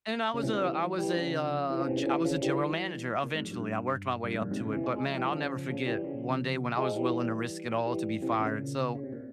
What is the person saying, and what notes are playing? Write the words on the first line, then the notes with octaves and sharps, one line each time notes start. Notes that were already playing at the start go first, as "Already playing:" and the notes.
And I was a I was a, uh, g I was a general manager eventually. I worked my way up to it. But, man, I'll never forget one day when I was willing to risk it all to be fired. So,
A#2 C#3
C3 E3
C#3 F3
E3 G3
E3 G3
C#3 F3
C3 E3
C#3 F3
C3 E3
A#2 C#3
C3 E3
C#3 F3
E3 G3
A#2
F2 G#2
F2
G2
G2
F2 G#2
G2 A#2
G#2 C3
A#2 C#3
C3 E3
F3 G#3
F3 G#3
E3 G3
E3
C#3 F3
C#3 F3
E3 G3
C#3 F3
F3 G#3
E3 G3
E3 G3
C3 E3
A#2 C#3
C#3
C3
A#2